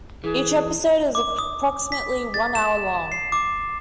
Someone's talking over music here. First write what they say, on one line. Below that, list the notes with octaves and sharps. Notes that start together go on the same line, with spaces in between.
Each episode is approximately one hour long.
E3 G#4
D6
D#6
B6
A6
E7
C7
D6